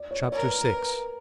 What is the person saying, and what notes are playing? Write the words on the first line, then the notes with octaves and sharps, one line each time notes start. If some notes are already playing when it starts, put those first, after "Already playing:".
Chapter VI.
Already playing: D5
C#5
D5
A#4 C#5
B4
B4
B4